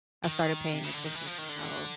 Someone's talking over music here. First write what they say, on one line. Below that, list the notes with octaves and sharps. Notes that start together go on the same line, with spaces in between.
I started paying attention to how
D#3
C3
C#3
D3
D#3
E3
F3
D#3
D3